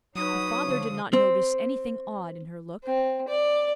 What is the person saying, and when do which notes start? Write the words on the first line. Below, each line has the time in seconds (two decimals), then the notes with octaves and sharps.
Her father did not notice anything odd in her look.
0.15 F#3 D#4 B4 C#5 D#6
0.63 D3 F3
1.13 C4
2.84 C4
3.28 D5